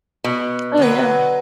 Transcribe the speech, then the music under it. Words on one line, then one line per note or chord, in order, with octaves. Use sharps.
Oh, yeah.
B2
D3 F#3 B4